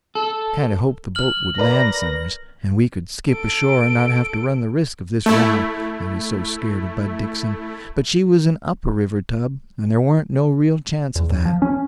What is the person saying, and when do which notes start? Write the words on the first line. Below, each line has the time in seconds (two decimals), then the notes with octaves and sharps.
I kind of hoped the boat would land somers, and we could skip ashore and not have to run the risk of this row, I was so scared of Bud Dixon, but she was an upper-river tub and there warn't no real chance of that.
0.15 A4
1.15 F6 F#7
1.58 A#4 B4 D5 A#6
3.30 A4 D7
5.26 A3 E4
11.16 E2
11.30 D#2
11.45 F3
11.62 C#4